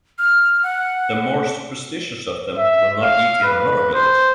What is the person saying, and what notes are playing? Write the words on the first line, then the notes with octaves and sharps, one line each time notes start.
The more superstitious of them will not eat in another village.
F6
F#5
E5
F5
B4
C5